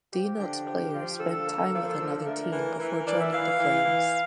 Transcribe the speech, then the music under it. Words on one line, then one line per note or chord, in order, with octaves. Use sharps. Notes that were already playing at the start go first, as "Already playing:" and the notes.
Denotes player spent time with another team before joining the Flames.
F3 G4
D3
F3
F3
D3 A4
A#3
F3
D3
A3 A#4
E3
E3
E3 D5
E5
E3 F5
E3
E3